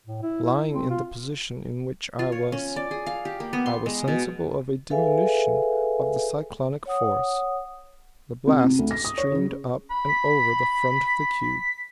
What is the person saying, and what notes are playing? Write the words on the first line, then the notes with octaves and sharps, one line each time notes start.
Lying in the position in which I was, I was sensible of a diminution of the cyclonic force; the blast streamed up and over the front of the cube.
A2
E4
E4
C4
F4
F4
C#5
C#4
D5
G#4
F5
G4
A#3
B3
C6
G#3
B2
G#4 A4 B4 E5 F5 G#5
C#5 F#5 D#6
C3
C3
D2
A#6
D#6
C#5
C#3
B5
B6